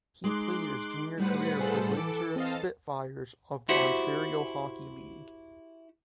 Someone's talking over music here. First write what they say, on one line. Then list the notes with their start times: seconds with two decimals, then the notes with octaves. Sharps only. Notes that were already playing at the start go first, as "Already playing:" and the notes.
He played his junior career with the Windsor Spitfires of the Ontario Hockey League.
0.24 G#3 D#4 C6 D6 F#6
1.18 A2 G3 B4 C5 F#5
1.57 E4 F4 G#4 A4
1.97 E3 D6
2.36 C4 D#5 F5 A5
3.69 E4 F#4 G4 C5 E5 F#5